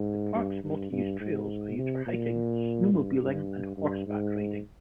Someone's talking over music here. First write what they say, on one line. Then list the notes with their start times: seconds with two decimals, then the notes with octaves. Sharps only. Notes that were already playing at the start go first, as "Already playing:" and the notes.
The park's multi-use trails are used for hiking, snowmobiling and horseback riding.
Already playing: G#2
0.35 G2
0.64 G2
0.92 G2
1.20 G#2
1.78 C3
2.07 A#2
2.93 G2
3.21 G2
3.77 G2
4.07 G#2